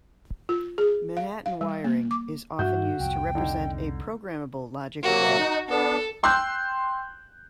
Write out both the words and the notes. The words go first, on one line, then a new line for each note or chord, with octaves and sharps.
Manhattan wiring is often used to represent a programmable logic array.
F4
G#4
F5
F5
G3
A#3
D6
G2 D4 F#4 E5 G6
C2 F2 G5
D3 D#4
C3 F#3 A#3 F#4
D#4
B3 D4 A4
G5 C6 E6 F#6 G6